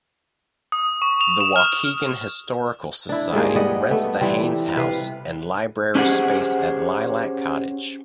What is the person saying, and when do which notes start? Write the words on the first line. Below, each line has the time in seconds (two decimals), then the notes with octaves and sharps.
The Waukegan Historical Society rents the Haines House and library space at Lilac Cottage.
0.72 D#6
1.02 C#6
1.21 F7
1.41 E7
1.56 F6
3.09 D4 E4
3.33 G#2 G3 A#3 G#4
3.55 G3 B3 D#5 F#5
3.91 A3 B3
4.21 E3 G3 C4
4.76 C3 B4 F5
5.95 C#4 D4 G4 G#4 C5 F#5